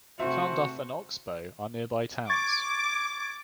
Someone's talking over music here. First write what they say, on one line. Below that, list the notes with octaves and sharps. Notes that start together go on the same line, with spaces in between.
Carnduff and Oxbow are nearby towns.
C3 A3 C4 F#4 C5 E5
C#6 D6 G#6 A6